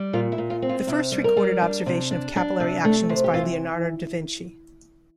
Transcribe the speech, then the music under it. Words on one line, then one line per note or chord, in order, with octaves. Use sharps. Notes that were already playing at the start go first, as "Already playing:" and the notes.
The first recorded observation of capillary action was by Leonardo da Vinci.
Already playing: G3
A#2 F4
E4
A#2
F4
C4
F4
C3 E4
G3
A#4
G3
D4
C3
D4
D4
C3
A3
C3 C5
G4
E3 F4